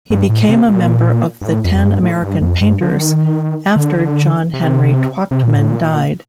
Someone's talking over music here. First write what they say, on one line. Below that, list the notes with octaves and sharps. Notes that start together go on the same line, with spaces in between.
He became a member of the Ten American Painters after John Henry Twachtman died.
G2
A2
C3
A#2
G2
A2
F2
F2
G2
A2
G2
F2
G2
F3
D3
D#3
D3
C3
C3
A#2
A2
A#2